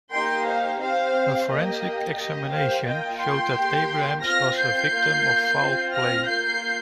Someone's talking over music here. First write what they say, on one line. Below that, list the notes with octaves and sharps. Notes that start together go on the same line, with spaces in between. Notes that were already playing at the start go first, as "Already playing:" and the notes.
A forensic examination showed that Abrahams was a victim of foul play.
A#3 D#4 G4 G5 C6
C5 F5
C4 G4 C5 F5
A#3 G4 D#5
A#3 G4 D#5
C5 F5
A#3 F4 D#5 G5
G5 C6
A#3 G4
C4 F4 F6 A#6
G6 C7
A#3 F4
C4 F4
F6 A#6
A#3 F4 G6 C7